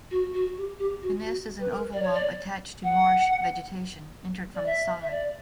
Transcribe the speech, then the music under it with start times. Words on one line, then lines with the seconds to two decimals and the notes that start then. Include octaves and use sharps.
The nest is an oval lump attached to marsh vegetation, entered from the side.
0.11 F#4
0.33 F#4
0.57 G4
0.79 G4
1.02 F#4
1.25 F#4
1.60 B4
1.70 A#4
1.93 D5
2.02 C#5
2.13 D5
2.84 F#5
4.55 D5
4.66 E5
5.02 E5
5.11 D5